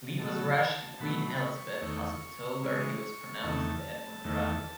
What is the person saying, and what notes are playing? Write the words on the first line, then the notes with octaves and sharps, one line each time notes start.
Lee was rushed to Queen Elizabeth Hospital where he was pronounced dead on arrival.
B2 F#3 A3 A5
B2 F#3 A3 B5
C#6
E2 D#3 A3
C#3 E3 G#3
E2 D#3 A3 A5
E2 D#3 A3